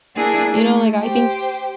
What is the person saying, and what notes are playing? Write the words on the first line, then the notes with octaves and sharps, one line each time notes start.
you know, like, I think,
A#3 D4 E4 G#4 G#5
A3
G4 C5